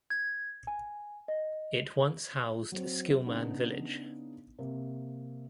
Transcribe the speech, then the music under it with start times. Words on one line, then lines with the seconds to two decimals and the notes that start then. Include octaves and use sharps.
It once housed Skillman Village.
0.10 G#6
0.67 G#5
1.28 D#5
2.72 F#3 C4
3.26 C#3 B3 D4 D#4
4.59 C3 A#3